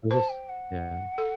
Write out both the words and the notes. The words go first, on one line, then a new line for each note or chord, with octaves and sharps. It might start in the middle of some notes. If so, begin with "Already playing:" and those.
This was Yeah.
C5 A5
G5
F#5
A4